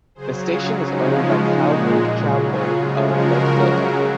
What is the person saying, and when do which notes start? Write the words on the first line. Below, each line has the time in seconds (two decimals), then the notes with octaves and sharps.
The station is owned by Calvary Chapel of Lake Villa.
0.15 C#3 F#3 G#4 C5
0.48 F4 G#4
0.80 C#3 F3 G#3 D#4 F#4
1.46 A#2 G#3 D#4 F#4
2.11 C#3 F#3
2.44 F4 G#4
2.77 C#3 F3 G#3
3.08 F#4 A#4
3.41 C#3 F#3